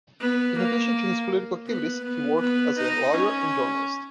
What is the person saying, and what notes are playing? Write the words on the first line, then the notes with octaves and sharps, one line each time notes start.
In addition to his political activities, he worked as a lawyer and journalist.
B3
A#3
B3
B3
B3
D#4
C#4